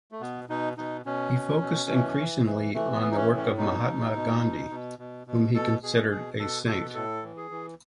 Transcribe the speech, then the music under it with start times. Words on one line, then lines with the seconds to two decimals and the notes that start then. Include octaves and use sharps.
He focused increasingly on the work of Mahatma Gandhi, whom he considered a saint.
0.12 A3
0.21 B2 B3
0.49 B2 D#4
0.78 B2 D#4
1.06 B2 C#4
1.34 B2
1.61 B2
1.90 E3
2.18 E3
2.46 E3
2.74 E3 A3
2.95 B3
3.03 E3
3.11 D#4
3.16 C#4
3.30 A2
3.37 C#4
3.58 B2 D#4
3.86 B2
4.14 B2
4.43 B2
4.70 B2
4.99 B2
5.27 B2
5.54 B2 A4
5.83 B2 G#4
6.10 B2 G#4
6.38 B2 A4
6.66 B2 A4
6.94 A2 A4
7.24 E3
7.37 G#4
7.51 E3